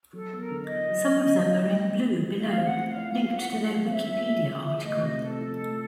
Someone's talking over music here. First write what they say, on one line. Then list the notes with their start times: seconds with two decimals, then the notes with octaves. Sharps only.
Some of them are in blue below, linked to their Wikipedia article.
0.13 F#3 A4
0.33 B3
0.39 A#4
0.51 D3
0.63 D#5
0.70 E4
0.89 F#3
1.08 B3
1.26 D3
1.45 E4
1.64 A3
1.83 C4
2.02 F3
2.20 E4
2.39 A3 F5
2.58 C4
2.65 F#5
2.77 F3
2.89 F5
2.96 E4
3.14 C4 F5
3.33 F4 F#5
3.52 G#3 F#5
3.70 G#4 F5
3.90 C4 E5
4.08 F4
4.28 G#3
4.47 G#4
4.65 F3 E5
4.84 A3 D#5
5.02 C3 D#5
5.22 C4 A4
5.41 F3
5.59 A3